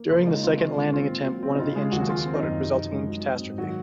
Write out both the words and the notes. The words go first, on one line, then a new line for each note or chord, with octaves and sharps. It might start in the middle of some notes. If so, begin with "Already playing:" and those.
During the second landing attempt, one of the engines exploded, resulting in catastrophe.
Already playing: A#3
C#3 F4
G#3 D#4
C4 F4
D#3 F4
G#3 F4
C4 F4
A#2
F#3
C4
D#4
C#3 F4
G#3 G#4
D#2 F#3 F#4
F3 F4
C4
D#4
F#2
C3
F3
G#3
F#3
C4
G#2
D#3 F#3 F#4